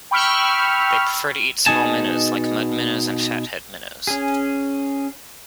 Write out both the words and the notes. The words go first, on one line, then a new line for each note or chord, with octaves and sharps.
They prefer to eat small minnows like mud minnows and fathead minnows.
G5 B5 C#6 E6 F6
B2 A3 D#4 G#4 G#5 A5
C#4 G#4